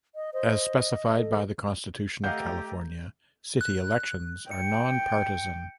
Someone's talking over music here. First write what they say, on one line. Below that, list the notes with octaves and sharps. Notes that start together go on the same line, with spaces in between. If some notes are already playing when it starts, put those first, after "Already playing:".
As specified by the Constitution of California, city elections are non-partisan.
D#5
C5 D#5
A4
A3 G4 D#5 F5 F#5 A#5 G6
F#6
G5 C#7